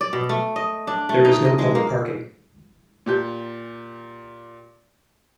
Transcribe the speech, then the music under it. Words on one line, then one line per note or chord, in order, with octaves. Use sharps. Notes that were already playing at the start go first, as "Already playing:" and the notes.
There is no public parking.
D5
B2
A3
D#5
D4
A3
D#4
D#5
G#3
A#3
A#2 G4 G6